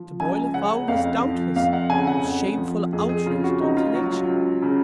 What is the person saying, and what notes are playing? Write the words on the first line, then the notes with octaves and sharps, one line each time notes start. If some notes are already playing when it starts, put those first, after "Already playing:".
To boil a Fowl is, doubtless, a most shameful Outrage done to Nature.
Already playing: F3
C#2 G#5
C#3 F#5
F2 F5
F3
F2 F5
F#5
C#3 G#5
F#5
F2
F3
F2 G#4
G#4
C#3 F4
F#4
C#2 D#4
F4
F#3 F#4
F4
C#2
C#3